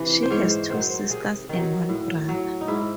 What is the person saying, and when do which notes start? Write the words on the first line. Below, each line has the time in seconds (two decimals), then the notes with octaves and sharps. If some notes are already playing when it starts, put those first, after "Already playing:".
She has two sisters and one brother.
Already playing: C3 E3
0.23 C5
0.31 G#2 C#5
0.50 C5
0.70 D#3 F#3 C5
0.90 C5
1.09 C3 G#4
1.49 D#3 F#3
1.89 A2
2.28 F#3
2.61 D#4
2.68 G#2 E4